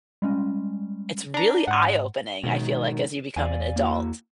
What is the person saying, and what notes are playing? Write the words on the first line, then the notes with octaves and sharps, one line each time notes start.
it's really eye-opening, I feel like, as you become an adult
G3 G#3 C#4
D4 A#5
G#2 F#5
G#2 B2 D#3 F#3
E2 D5 F5 G#5
A#3 E4 F#4